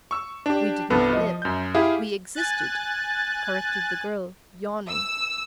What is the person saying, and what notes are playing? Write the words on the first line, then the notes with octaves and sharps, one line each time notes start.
"We didn't live--we existed," corrected the girl, yawning.
C#6 E6
D4 G4
C2 G2 B3 A4
F3 D#5
F#2 G6
E4 G4 G#4 F5
G#5 F#6 A6
E6